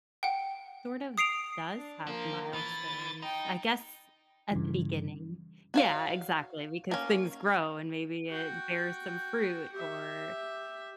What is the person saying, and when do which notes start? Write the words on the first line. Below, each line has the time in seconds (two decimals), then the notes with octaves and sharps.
sort of, does have milestones, I guess, at the beginning. Yeah, exactly, because things grow and maybe it bears some fruit or
0.23 F#5 G5
1.18 D#6 C7 D7 F7
1.78 D4
2.07 F3 A#3
2.54 E3 A6
3.22 D#4 G5
4.51 G2 C#3 E3
5.74 F#4 C#5 F5
6.91 A#3 C#4
8.30 F#4 G5
9.72 G4 E5